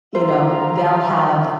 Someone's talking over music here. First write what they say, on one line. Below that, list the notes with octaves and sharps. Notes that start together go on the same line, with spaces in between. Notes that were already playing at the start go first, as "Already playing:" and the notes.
you know, they'll have
F4 C5 E5 A#5